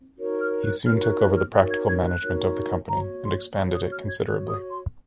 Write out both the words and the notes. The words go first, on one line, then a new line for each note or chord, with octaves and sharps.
He soon took over the practical management of the company, and expanded it considerably.
D#4 F#4 A#4 C#5
F6
F#6
D#4 F#4 A#4 C#5 F6
F#6
F#6
F6
D#4 F#4 A#4 C#5 F#6
G#6
G#6
F#6
D#4 F#4 A#4 C#5
F#4 C#5 A#5
C6
F#4 C#5 C#6
D#6
F6
G#6
F#4 C#5 F#6
D#6
C6